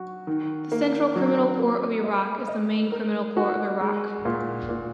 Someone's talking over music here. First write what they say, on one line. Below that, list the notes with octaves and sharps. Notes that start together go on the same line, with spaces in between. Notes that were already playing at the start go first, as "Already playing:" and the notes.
The Central Criminal Court of Iraq is the main criminal court of Iraq.
Already playing: F#3 F#4
D#3
A#3
F#3
A#3
D#5
D#5
A#4
F#4
G#3
A#2
A#2